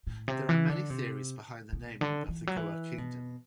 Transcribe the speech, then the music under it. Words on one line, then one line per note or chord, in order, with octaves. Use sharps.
There are many theories behind the naming of the Gour kingdom.
A2
C3
E3
D3
C3
B2
D3
E3
F#3
E3
B2